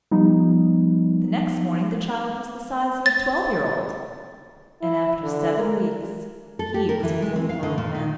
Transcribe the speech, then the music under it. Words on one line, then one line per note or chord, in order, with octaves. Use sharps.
The next morning the child was the size of a twelve-year old; and after seven weeks he was a full-grown man.
F3 G3 B3 D#4
A6
E4
D3
A#4
A4
G4
A#4
E3
G#3
C4
F5
D3
A#2
D#4